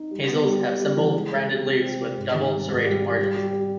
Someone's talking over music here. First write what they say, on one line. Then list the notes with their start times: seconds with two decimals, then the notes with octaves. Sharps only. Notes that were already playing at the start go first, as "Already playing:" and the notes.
Hazels have simple, rounded leaves with double-serrate margins.
Already playing: D#4
0.11 G3
0.28 B3
0.45 G3
0.62 G3
0.80 G3
0.97 E3
1.14 G#3
1.31 G#3
1.48 G#3
1.65 C3
1.82 C4
2.00 C3
2.16 G#2
2.34 D#3
2.51 G3
2.68 G#2
2.85 G3
3.02 G3
3.19 G3
3.36 G3
3.53 G3